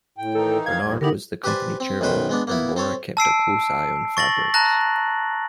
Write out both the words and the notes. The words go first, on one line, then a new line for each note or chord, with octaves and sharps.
Bernard was the company chairman and Laura kept a close eye on fabrics.
A2 G5
D#3 E3 D#4 A4
F5 G#6
E2 G#2 G3
D3 B3 D#4 E4 G4 A#4
G4 B4 C5 D5 G#5
C4
B1 F#2 D#3 B4 C5 G5
G#3 B3 D4
A#3 B3 E4
C4 A4 C#5
A5 E6 C7 D7
C#6 A6 A#6 F#7
A5 A#5 F#6 A#6